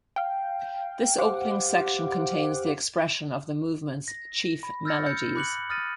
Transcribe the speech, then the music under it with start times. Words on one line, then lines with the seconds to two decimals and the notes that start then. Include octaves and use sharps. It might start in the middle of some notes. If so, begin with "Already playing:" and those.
This opening section contains the expression of the movement's chief melodies.
0.16 F5 G5
1.18 G4 C5 F5 F#5 D6
4.08 A#6
4.63 B5
4.85 E6 F6 G6 A6 A#6 C#7
5.06 E6 G6 C#7
5.35 B5 D6 F#6 C#7 F#7
5.70 D#6 F6 A6 A#6 D#7